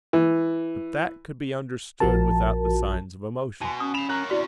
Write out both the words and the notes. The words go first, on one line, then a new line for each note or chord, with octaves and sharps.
But that could be understood without the signs of emotion.
E3
A#1 F3 F#4 A#4 A5
B2 G#5 A5 C6
C#4 D#6
F5 B5 E7 F7
A#4 C#5 A#5 F#6
C3 C#4 E4 F#4 D5 C6